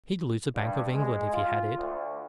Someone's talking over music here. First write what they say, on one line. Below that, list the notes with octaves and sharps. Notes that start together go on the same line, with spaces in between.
He'd lose the Bank of England if he had it.
G2
G#3
F4
D2